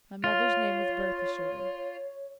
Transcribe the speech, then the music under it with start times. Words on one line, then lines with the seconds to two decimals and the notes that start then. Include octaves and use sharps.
My mother's name was Bertha Shirley.
0.24 F4 C#5